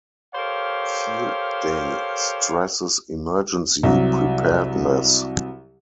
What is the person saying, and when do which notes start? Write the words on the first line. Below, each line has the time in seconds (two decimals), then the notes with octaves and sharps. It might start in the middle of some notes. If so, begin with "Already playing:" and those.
Field Day stresses emergency preparedness.
0.35 G4 A4 A#4 C5 C#5 F5
3.83 C2 F#3